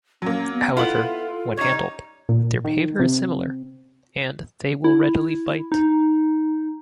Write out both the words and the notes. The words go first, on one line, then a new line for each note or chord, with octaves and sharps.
However, when handled, their behavior is similar, and they will readily bite.
F#3 A#3 C#4
B3
B3 E4 F4 A4 F#7
G3 D#4 C#5
A#2
D#3
C3
E4
D#4